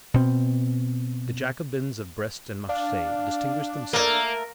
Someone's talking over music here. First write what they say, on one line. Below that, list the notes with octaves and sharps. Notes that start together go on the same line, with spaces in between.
The Jacobins of Brest and Marseilles distinguished themselves.
B2 C4
D4 F5
A3 A#3 A#4